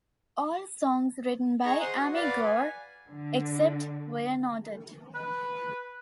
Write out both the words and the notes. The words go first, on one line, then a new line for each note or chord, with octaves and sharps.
All songs written by Amy Gore, except where noted.
D#4 G#4 A#5 C#6
C5 F#5 C6 D#6
F#4
B4 D5 F5 F#5
G#5
D3
B4